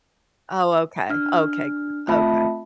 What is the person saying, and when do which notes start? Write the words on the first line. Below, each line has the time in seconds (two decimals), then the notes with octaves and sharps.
Oh, okay. Okay, good. Okay.
1.10 D4 F6
2.08 A3 C4 F4 E5 A5 B5